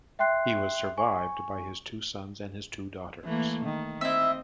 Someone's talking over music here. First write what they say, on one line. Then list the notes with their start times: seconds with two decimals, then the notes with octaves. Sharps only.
He was survived by his two sons and his two daughters.
0.19 E5 G5 C6 F#6 C7
0.97 G#5 C#6
3.25 E3 A3 A#3
3.65 D#3
4.01 C4 E4 D#5 E5